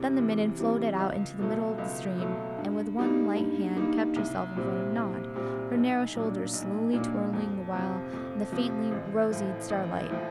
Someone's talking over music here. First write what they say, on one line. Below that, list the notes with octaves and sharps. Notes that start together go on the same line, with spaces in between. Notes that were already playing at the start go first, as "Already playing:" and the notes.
Then the Midden floated out into the middle of the stream, and with one light hand kept herself in front of Nod, her narrow shoulders slowly twirling the while in the faintly-rosied starlight.
Already playing: E2 C3 E3 G3
E2
C3 E3 G3
C#2
B2 F#3 A3
C#2
B2 F#3 A3
G2
D#3 G3 A#3 D#4
G2
D#3 G3 A#3 D#4
C2
A#2 G3 C4
C2
A#2 G3 C4
B1
A#2 F#3 A#3 D4
B1
A#2 F#3 A#3 D4
F2
C3 F3
F2
C3 F3
A1
A2 F3
A1
A2 F3